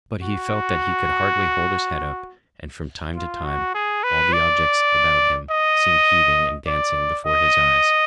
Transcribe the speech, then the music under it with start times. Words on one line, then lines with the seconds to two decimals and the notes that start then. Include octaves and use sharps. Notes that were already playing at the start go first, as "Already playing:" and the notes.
But he felt that he could hardly hold his head up, and from time to time all the objects about him seemed heaving and dancing before his eyes.
0.23 F#4
3.16 F4
3.45 F#4
3.74 G#4
4.03 B4
4.33 D5
5.50 D#5
6.67 D5
7.26 D#5